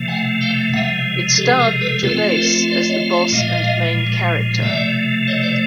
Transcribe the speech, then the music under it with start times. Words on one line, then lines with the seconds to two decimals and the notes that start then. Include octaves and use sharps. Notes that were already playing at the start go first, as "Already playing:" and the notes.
It starred Gervais as the boss and main character.
Already playing: C3 F3 A3
0.08 F#5 G#5
0.41 F5 G5
0.74 C3 F3 G#3 E5 F#5
1.38 G4 A4
1.60 G#4 A#4
1.81 A4 B4
2.03 F3 A3 C4 F4 A4 B4
2.36 A#4 C5
2.68 C5 D5
2.89 C#5 D#5
3.11 D5 E5
3.32 A#2 F3 G#3 D#5 F5
4.62 C3 F3 A3 D5 E5
5.28 C#5 D#5
5.43 C5 D5